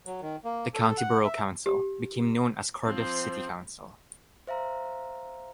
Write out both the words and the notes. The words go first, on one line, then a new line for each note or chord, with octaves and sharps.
The county borough council became known as Cardiff City Council.
F#3
D#3
A#3
A4
F#5
E5
G4
F3 C4
C5 E5 F5 A#5